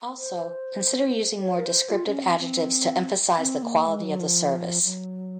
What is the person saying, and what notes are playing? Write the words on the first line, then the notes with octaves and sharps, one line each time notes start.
Also, consider using more descriptive adjectives to emphasize the quality of the service.
C5
C#5
A#4
C5
F4
C#4
C4
C4
C4
A#3
G#3
F#3
F3
F#3